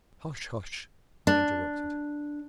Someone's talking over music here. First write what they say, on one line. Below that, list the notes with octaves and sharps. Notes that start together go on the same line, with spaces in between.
'Hush, hush!' I interrupted.
D4